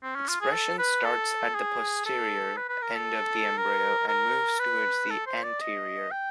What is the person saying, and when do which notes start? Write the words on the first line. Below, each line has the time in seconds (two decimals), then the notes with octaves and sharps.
Expression starts at the posterior end of the embryo and moves towards the anterior.
0.03 C4
0.15 C#4
0.28 F4
0.41 G#4
0.54 A4
0.79 B4
1.04 A4
1.55 G#4
2.06 A4
2.57 B4
2.69 B4
2.82 A#4
2.95 A4
3.58 A#4
4.08 A#4
4.59 B4
5.10 A4
5.27 C5
5.44 D5
5.61 D#5
6.12 G5